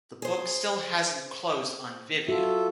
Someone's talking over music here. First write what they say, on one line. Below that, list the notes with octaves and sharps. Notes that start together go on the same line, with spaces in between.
The book still hasn't closed on Vivian.
G#4 C5
F4 F#4 A4 E5